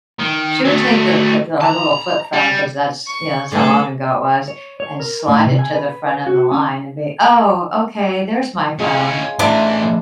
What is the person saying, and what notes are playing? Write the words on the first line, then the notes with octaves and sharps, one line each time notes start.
she would take the the her little flip phone, 'cause that's you know, that's how long ago it was, and slide it to the front of the line and be, "Oh, okay, there's my phone."
D#3
F#3 A3
A5 A#5
G3
C#6
D3 A3 B3 G#4 A4
C#5
C#5
A#4
A2
C3
G#5
B4
F#4
C#4
G#3 C#4 E4 G#4 F5
A2 C3 E3 D4 E4 C6